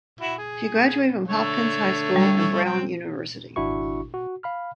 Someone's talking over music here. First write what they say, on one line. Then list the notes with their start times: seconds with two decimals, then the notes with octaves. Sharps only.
She graduated from Hopkins High School and Brown University.
0.21 E4 F#4
0.38 G#4
1.28 D3 A3 C#5
2.16 G3
2.65 C4 G5
3.56 G#1 D4 E4 F#4 C#6
4.14 F#4
4.43 F5 B5 F6